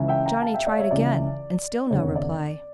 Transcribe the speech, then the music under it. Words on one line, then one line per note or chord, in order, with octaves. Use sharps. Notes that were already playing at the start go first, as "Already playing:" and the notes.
Johnny tried again, and still no reply.
Already playing: C#2 C#3 E3
E5 G5
G5 A#5
F5 A5
E5 G5
D5 F5
C#5 E5
C#2 C#3 E3 D5
F1 E2 D3 C#5
D5